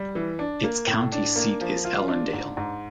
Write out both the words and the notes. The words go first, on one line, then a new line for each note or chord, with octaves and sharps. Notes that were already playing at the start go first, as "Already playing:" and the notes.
Its county seat is Ellendale.
Already playing: G3
E3
D4
A#3
A2
D4
A#3
F3
F4
D4
G#2
G#2